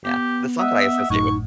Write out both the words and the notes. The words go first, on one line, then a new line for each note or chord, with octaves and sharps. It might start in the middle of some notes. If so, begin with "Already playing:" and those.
yeah, the song that I associate with
B3 G4
D#5 E5 F#5 D#6
G#1 F#2 A2 D#4 C#6